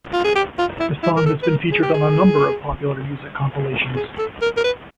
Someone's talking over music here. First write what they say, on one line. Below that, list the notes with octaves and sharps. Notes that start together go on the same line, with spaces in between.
The song has been featured on a number of popular music compilations.
F4
G#4
G4
F4
E4
E4
A#4
A4
B4
A#4
G#4
G4
G#4
G#4
A4
A#4
A#4
B4